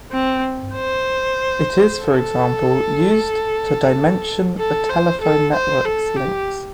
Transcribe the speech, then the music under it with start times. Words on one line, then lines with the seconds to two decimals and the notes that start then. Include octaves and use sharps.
It is, for example, used to dimension a telephone network's links.
0.12 C4
0.76 C5
2.03 A4
4.58 A4
4.89 C5
5.21 A4
5.53 C5
5.85 A4
6.16 G4